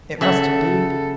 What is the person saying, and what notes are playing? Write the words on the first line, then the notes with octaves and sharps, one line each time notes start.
It must indeed.
C#3 A4 E5 F#5